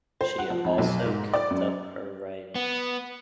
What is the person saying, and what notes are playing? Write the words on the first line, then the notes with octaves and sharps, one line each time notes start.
She also kept up her writing.
C5
F#5
F3
F2
B1
G#2
D5
F#2
B3